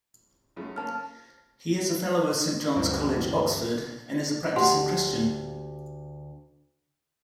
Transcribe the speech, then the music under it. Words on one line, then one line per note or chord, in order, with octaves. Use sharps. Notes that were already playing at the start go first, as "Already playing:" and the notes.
He is a Fellow of Saint John's College, Oxford, and is a practising Christian.
F#2 C#3 A3
A#3 C#4 A5 F6
D2 G2 E3 F#3 A#3 C4
D2 G4 F#5 C6